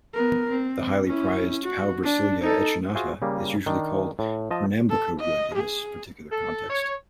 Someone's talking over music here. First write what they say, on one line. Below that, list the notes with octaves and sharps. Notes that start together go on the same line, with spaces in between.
The highly prized "Paubrasilia echinata" is usually called "Pernambuco wood" in this particular context.
B3 A#4
C4
C#4 E4
F#4
D4
D#4 A4
F4 F#4 G#4 C5 E5
C#3 G3 A#3
D#3 D4
A2
F3 D#5 A5
A4
D#5
G#4
A4
C#5